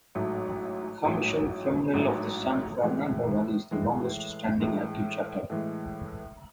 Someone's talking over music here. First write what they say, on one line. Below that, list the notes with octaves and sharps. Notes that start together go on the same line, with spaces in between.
Comision Femenil of the San Fernando Valley is the longest-standing active chapter.
A1 G#2 F#3 A3
A1 G#2 F#3 A3
A1 G#2 F#3 A3
A2 E3 G#3
A2 E3 G#3
A2 E3 G#3
A2 E3 G#3